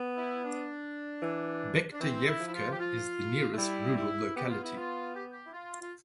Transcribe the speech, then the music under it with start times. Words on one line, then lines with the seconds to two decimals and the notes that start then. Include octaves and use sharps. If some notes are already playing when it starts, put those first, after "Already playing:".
Bekhteyevka is the nearest rural locality.
Already playing: B3
0.17 E4
0.44 D4
1.22 E3
1.92 D4
2.00 E3 C4
2.27 E4
2.40 F3
2.47 E4
2.53 F4
2.71 G4
2.79 F4
3.53 A3
3.57 G3 E4
3.97 E4
4.36 B3 G4
4.43 C4
4.49 B3 F4
4.63 E4
4.77 F4
5.15 G4
5.32 G4
5.45 E4
5.53 F4
5.81 F4